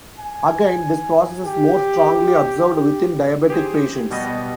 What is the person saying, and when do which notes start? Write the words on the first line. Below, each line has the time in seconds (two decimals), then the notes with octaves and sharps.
Again, this process is more strongly observed within diabetic patients.
0.19 G#5
1.44 G4
3.50 G4 G#4 C5
4.11 B2 G3 B3 D#5